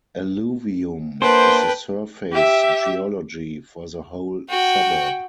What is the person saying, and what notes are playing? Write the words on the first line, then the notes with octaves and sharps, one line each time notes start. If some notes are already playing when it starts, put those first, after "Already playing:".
Alluvium is the surface geology for the whole suburb.
A#3 D4 B4 C5 G5
G4 E5
F#4 G5